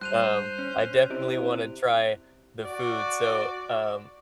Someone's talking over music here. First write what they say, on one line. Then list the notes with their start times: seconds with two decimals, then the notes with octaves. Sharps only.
um, I definitely wanna try the food. So, um,
0.01 G2 C5 F#6 D#7 F7
0.59 C#4
1.10 C3 E4 D5
2.64 F#4 D5